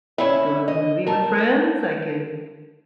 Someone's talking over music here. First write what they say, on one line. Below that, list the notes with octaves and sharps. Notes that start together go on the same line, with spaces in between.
go to the movie with friends, I can
C#4 E4 E5
D#5
A#4 A5